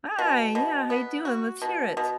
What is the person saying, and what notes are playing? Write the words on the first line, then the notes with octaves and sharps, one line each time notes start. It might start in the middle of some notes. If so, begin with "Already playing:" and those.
Hi, yeah, how you doing? Let's hear it.
B2
B2
B3
F#4
B2
B2